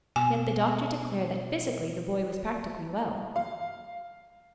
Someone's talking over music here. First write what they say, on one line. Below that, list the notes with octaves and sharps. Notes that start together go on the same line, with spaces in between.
Yet the doctor declared that physically the boy was practically well.
B2 G#5
F5